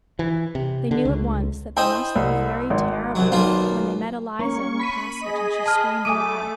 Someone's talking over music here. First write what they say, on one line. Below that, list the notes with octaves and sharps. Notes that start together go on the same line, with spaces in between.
They knew at once that they must look very terrible when they met Eliza in the passage, and she screamed aloud.
E3
C3
D3
C#2
E4 C5 D#5 G5
C2
G#1
C2 F#3
B1 A#3 F4
A#3 C#4 C#6
B5 B6 D#7
G#4 D#5
A5 F6
A3 G#5 D6 D#6 D#7